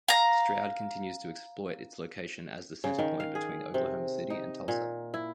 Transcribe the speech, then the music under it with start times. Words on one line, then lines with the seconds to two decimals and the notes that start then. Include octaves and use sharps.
Stroud continues to exploit its location as the centerpoint between Oklahoma City and Tulsa.
0.08 F5 A#5
2.84 C#3
2.99 D#3
3.20 F5
3.35 G#4
3.74 C3
4.30 D#4
4.68 A#2
5.14 E4